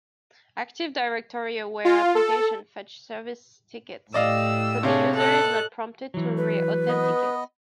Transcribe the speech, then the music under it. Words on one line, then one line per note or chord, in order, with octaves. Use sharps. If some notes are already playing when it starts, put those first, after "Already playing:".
Active Directory-aware applications fetch service tickets, so the user is not prompted to re-authenticate.
F4
A4
A2 G4 D5 D#5 F5 E6
C3 D4 G#4 C#5 F5
A4 D#5 F#6
E3 F#3
B4
B3 D#5